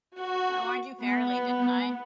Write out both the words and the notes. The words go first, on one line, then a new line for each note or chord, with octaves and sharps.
I warned you fairly, didn't I?
F#4
B3